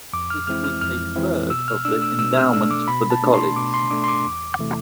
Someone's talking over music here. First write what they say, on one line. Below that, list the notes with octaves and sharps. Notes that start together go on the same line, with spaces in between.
This was a third of the endowment for the college.
F2 D6
F6
E3 G#3 C4 E4 F6
F6
F2 F6
E3 G#3 C4 E4
B2 E6
F6
A3 D4 E6
E6
B2 E6
F6
A3 D4 E6
D6
B2 B5
A5
A3 D4
C6
B2 D6
C6
A3 D4 D6
C6
D6
E2
C3 E3 A3 E4